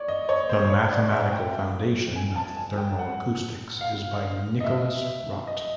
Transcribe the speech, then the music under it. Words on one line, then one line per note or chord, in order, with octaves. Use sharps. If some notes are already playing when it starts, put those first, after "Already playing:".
The mathematical foundation of thermoacoustics is by Nikolaus Rott.
Already playing: C#5 D5
D#5
C#5
C5
C#5
D5
E5
G5
G#5
A5
G#5
G5
F#5
F5
D#5
E5
D#5